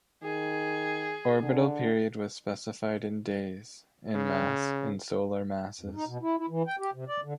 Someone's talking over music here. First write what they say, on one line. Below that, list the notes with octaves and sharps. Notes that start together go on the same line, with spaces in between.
Orbital period was specified in days, and mass in Solar masses.
D#3 G#4
D3
C#3
F2
D#4
B2
E4
E4
E3
G5
G4
C3
D5
D3